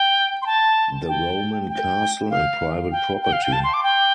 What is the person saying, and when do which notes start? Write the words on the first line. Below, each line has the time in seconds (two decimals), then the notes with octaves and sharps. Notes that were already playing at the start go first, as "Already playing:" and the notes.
The Roman castle and private property.
Already playing: G5
0.42 C6
0.46 A5
1.08 G5
1.69 G5
2.30 F5
2.92 G5
3.22 G5
3.32 F5
3.43 G5
3.52 A5
3.63 C6
3.74 D6
3.83 G5